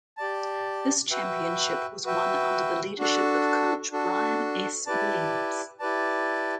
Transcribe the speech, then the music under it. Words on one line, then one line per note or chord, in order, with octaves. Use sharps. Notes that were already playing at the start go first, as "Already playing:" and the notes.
This championship was won under the leadership of Coach Brian S. Williams.
G4 D5 A5
F#4 B4 E5 G5
F#4 B4 E5 G5
D4 F#4 A4
D4 F#4 A4
E4 G4 B4 D5 A5
E4 G4 B4 D5 A5